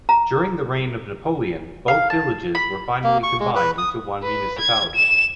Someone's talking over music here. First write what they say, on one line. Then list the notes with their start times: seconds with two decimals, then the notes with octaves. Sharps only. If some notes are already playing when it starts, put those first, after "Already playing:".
During the reign of Napoleon, both villages were finally combined into one municipality.
0.09 A#5
1.88 F5
2.10 A5
2.55 B5
3.04 A#3
3.23 C#6
3.40 G#3
3.55 B4
3.78 D#6
4.23 B4
4.59 G#6
4.95 E7